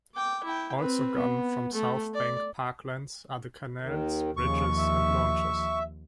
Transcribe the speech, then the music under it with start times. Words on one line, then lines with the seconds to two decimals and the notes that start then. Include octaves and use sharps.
Also gone from South Bank Parklands are the canals, bridges and launches.
0.15 G5 D6
0.44 E4 G5
0.79 C4 B4
1.17 B3
1.73 A3
2.14 D5
3.81 D#2 D#3
4.37 D#2 C#3 F3 C#6
4.77 E5